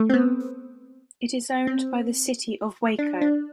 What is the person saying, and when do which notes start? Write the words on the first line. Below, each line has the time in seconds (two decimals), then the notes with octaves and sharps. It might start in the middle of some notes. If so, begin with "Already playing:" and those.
It is owned by the City of Waco.
Already playing: A3
0.10 C4
0.14 B3
1.67 C4
2.99 D4
3.21 D4